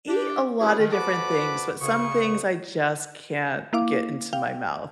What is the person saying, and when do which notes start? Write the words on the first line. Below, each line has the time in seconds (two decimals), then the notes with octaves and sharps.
eat a lotta different things, but some things I just can't get into my mouth.
0.08 D4 G4
0.59 E3 F#3 C#4 E4 G#4
0.78 D#3
0.92 F2 F#4 B4 A5 B5 D6
1.81 D2 C#3 C#6
3.73 A#3 E4 F5 D6
4.33 F5 G5